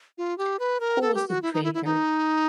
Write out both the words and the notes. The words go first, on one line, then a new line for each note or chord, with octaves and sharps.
Who was the traitor?
F4
G4
B4
A#4
A4
G4
F#4
E4
D#4
E4
E4
D#4